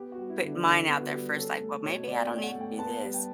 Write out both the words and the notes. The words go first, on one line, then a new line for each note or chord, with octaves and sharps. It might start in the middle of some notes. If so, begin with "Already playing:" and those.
put mine out there first, I "Well maybe I don't need to do this,
Already playing: B3 G4
F#4
G3
E4
D3
D4
D3 E4
B3
F#4
G3
C#4 A4
A3
B2 C#5
B2 D5
G5
C#4
F#5
A3
G5
B3 A5
G3
G5